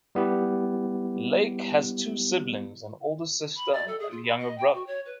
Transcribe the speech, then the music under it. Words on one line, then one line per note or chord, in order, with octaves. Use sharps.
Laich has two siblings, an older sister and younger brother.
G3 B3 E4 G4
B5
D5
A4
G#4
F4
B5
D#5
G5
F#4
C#5
B4